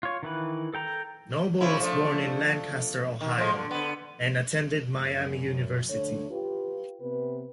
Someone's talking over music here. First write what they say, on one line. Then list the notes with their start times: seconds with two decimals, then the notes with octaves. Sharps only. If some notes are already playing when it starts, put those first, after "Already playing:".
Noble was born in Lancaster, Ohio, and attended Miami University.
0.03 F4 C#5
0.23 D#3 E3 B4
0.74 A4 G5 A#5
1.61 C#3 F3 E4
1.80 F3 A3 D4
3.21 D#3
3.38 F3 G#3
3.53 D3
3.71 D3 B3
4.99 F#2
5.89 D2 D3 A3 A4 C#5
6.30 F4 G4 B4
7.00 C3 B3 B4